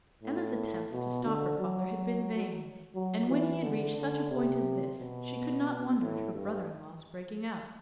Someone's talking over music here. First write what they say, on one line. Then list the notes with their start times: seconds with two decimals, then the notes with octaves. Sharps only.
Emma's attempts to stop her father had been vain; and when he had reached such a point as this, she could not wonder at her brother-in-law's breaking out.
0.24 A2
0.92 B2
1.25 D3
1.59 F#3
2.95 F#3
3.30 E3
3.63 D3
3.97 D3
4.31 C3
4.99 B2
6.01 A2
6.34 G2